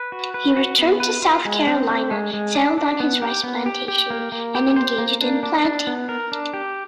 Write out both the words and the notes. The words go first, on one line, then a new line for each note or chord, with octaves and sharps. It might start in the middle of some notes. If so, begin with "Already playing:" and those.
He returned to South Carolina, settled on his rice plantation, and engaged in planting.
Already playing: B4
F#4
B4
F#4
B3
B4
F4
G#3
C4
C4
G#3
G#3
D4
D4
B3
G4
B3
G4
G4
A#3
A#3
G4
C5
A#3
D4
D4
D4
B3
A#4
D4
G4